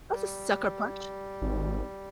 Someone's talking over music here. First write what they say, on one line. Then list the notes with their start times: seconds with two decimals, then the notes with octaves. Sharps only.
That's a sucker punch.
0.12 G3
1.42 G#1